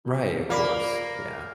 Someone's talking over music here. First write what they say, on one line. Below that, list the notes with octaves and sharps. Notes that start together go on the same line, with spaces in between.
Right, of course, yeah,
A#3 F4 D5 B5